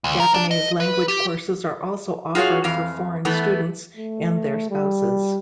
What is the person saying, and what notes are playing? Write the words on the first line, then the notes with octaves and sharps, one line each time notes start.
Japanese language courses are also offered for foreign students and their spouses.
D2
A#4
D4
D#5
B4
G4
F4 F#4 G#4 C#5 F5
F2 E3 F5
E3 A3 B3
A3
G3